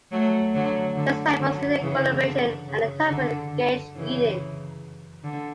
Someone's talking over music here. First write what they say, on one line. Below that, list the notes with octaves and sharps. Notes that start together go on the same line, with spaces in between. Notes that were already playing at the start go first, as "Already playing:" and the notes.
There is time for student collaboration and a time for engaged reading.
F#3 A3
D3 F#3
D3
D3 F#3
C#3 E3
D3
C#3
D3
D3
C#3 E3
D3